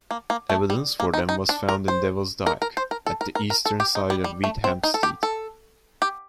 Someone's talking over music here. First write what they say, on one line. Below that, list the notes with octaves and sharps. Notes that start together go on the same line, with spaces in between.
Evidence for them was found in Devil's Dyke, at the eastern side of Wheathampstead.
A#3
A#3
A3
G3
A#3
D#4
D#4
D4
A#4
C5
A#4
A#4
C5
A#4
A4
A#4
A#4
A#4
A4
G4
D#4
G3
G3
A3
C4
D#4
A4
G4
A4
G4